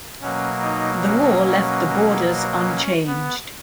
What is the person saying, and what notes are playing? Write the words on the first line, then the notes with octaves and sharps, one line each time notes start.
The war left the borders unchanged.
B2 F#3 A#3 C#4
D#4
C#4
C#4
B3